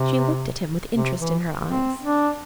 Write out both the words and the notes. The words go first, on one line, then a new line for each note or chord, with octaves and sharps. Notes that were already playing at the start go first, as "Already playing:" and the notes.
She looked at him with interest in her eyes.
Already playing: C3
C3
E3
C4
D4